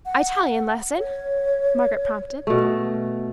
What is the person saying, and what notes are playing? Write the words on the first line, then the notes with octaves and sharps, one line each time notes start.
"Italian lesson," Margaret prompted.
F#5
C#5
B2 A3